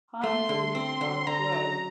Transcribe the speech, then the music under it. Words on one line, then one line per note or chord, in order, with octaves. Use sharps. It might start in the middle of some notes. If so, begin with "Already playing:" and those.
Hindwings are grey.
A3 C6
D3
C4 C6
D3
D3 A#5
F#3